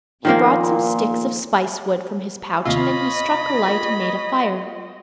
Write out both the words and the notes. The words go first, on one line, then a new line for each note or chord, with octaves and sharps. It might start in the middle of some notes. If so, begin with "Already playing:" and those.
He brought some sticks of spice-wood from his pouch, and then he struck a light and made a fire.
A#2 D#3 F3 A#3
D#2 C3 F4 C#5 D#5 E5 B5